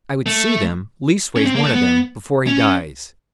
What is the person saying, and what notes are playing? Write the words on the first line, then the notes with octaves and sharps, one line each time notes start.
I would see them--leastways, one of them, before he dies.
A3
C#4
C4
A#3
A3
B3
C#4